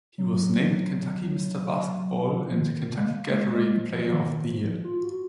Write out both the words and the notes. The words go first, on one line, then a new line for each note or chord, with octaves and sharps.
He was named Kentucky Mister Basketball and Kentucky Gatorade Player of the Year.
F#3
F#3
F3
D#3
G#3
A#3
G#3
G#3
F3
F3
D#3
F3
F4
F#4